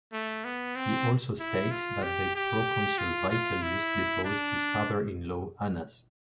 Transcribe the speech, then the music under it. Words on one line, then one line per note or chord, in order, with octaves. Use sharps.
He also states that the proconsul Vitellius deposed his father in law, Annas.
A3
B3
C4
E4
F4
G4
G4
F4
F4
E4
D4